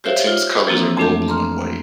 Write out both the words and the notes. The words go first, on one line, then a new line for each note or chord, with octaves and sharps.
The team's colors are gold, blue and white.
G4 C5 C#5 E5 F5
F4
E3 F3 A#3 C4 D4
F2 A3 D4 A4 A5 G6
A#5 C6 F6